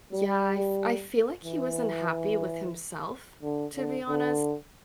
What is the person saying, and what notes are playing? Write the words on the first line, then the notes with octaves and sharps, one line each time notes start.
Yeah, I f I feel, like, he was unhappy with himself, to be honest,
G3
E3
D3
D3
D3